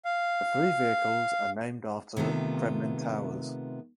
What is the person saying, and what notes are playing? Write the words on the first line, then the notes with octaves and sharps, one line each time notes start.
The three vehicles are named after Kremlin towers.
F5
C3 D#3 A3 B3 F4